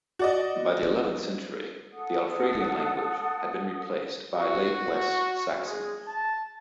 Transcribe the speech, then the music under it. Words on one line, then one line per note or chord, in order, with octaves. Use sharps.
By the eleventh century, the Alfredian language had been replaced by Late West Saxon.
F#4 D5 D#5
A4 F#5 D#6
F#4
G#3
A5